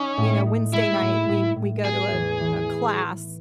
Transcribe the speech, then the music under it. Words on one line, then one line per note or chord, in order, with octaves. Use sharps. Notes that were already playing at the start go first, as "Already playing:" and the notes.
you know, Wednesday night- we we go to a a class
Already playing: C#4 D#4
A2
D#4
G#3 E4
A2
A2
A2
B3 G#4
E2
E3